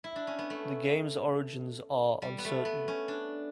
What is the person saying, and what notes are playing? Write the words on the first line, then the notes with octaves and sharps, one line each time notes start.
The game's origins are uncertain.
E4
D4
C#4
B3
A3
G3
B3
A3
B3
C#4
D4